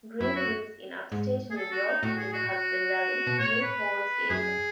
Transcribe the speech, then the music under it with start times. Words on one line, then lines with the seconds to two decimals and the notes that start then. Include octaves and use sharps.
Green lives in upstate New York, in the Hudson Valley, New Paltz area.
0.20 F#2 E4
0.36 F#4
1.12 G#2
1.51 G#4
1.57 A4
1.72 F#4
1.87 D#4
2.03 A2 F#4
2.18 G#4
2.33 F#4
2.48 F#4
3.27 B2
3.39 A2 C#5
3.62 B4
4.30 F#2 G#4